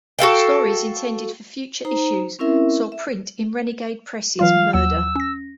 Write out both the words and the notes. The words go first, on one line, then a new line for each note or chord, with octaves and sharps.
Stories intended for future issues saw print in Renegade Press's "Murder".
F#4 A4 F5 G5
D#4 C5 A#5
C4 C#4 E4 A#4 E5
E5
E3 F#3 F4 F5
D#2 F#3 F#5 E6
C#4 A#6